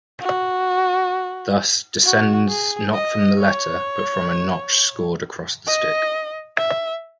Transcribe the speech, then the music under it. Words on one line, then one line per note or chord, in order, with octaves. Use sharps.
Thus, descends not from the letter but from a notch scored across the stick.
F#4
F#4
G#4
D#5
C#5
D#5
E5